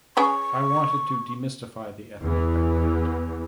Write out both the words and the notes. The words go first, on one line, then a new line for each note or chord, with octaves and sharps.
I wanted to demystify the ethnic background.
C#4 G#4 B4 C#6
E2 E3